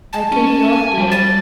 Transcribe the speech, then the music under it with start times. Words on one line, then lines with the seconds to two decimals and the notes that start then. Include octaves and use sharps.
'I think not, dear.
0.13 A5
0.32 C#4
0.75 G#5
0.98 G3
1.11 A6